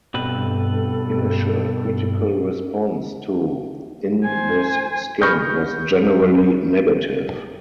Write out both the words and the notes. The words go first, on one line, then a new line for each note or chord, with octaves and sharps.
Initial critical response to "In This Skin" was generally negative.
G2 B2 C4 A4 B4
C5 G#5
B5 C#6 D#6 F6 G6 A#6